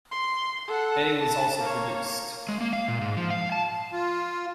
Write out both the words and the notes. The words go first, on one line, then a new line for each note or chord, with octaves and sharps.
A was also produced.
C6
A4 F#5
A5
A#3 C#5
G#3
A#3
F5
A#2
G#2
F3
F5
A5
F4